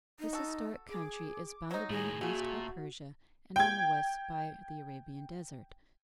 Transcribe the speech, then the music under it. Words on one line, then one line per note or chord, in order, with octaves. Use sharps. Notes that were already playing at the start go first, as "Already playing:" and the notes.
This historic country is bounded on the east by Persia and on the west by the Arabian desert.
D#4
F#4 A4
G#4 D6
F#3 D#4 C5 A#6
A2 D#3 G#4
A#2 C#3 A3 F#4
G5 G#6